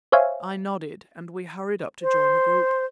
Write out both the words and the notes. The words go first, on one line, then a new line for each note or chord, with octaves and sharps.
I nodded, and we hurried up to join the group.
C5 C#5 E5 F5 G#5
C5